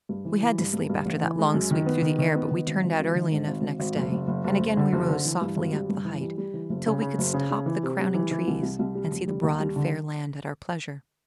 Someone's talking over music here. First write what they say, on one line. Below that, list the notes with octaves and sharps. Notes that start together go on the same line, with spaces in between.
We had to sleep after that long sweep through the air, but we turned out early enough next day, and again we rose softly up the height till we could top the crowning trees and see the broad fair land at our pleasure.
G2
E3
E3
G2
G2
G2
A1
E3
G#3
F#2
D#3
B3
D#3
D#3
B3
D#3
G#1
G#1
G#1
D#3
G#2
G#1
G#1
G#1
F#1
F#1
F#1
F#1
F#1
D3
F#1
D3
E3
G2
G#1
G3
G2
E3
G3
G3
E3
F#1
C#3
C#3
F#1
C#3
C#3
E3
C3
G3
E3
E3
C2
C2
C2
G3
F1
G3
D#2
G3
D3